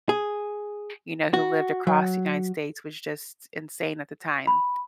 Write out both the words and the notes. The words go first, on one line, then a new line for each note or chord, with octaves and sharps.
you know, who lived across United States was just insane at the time.
G#4
F#4
F#3
B5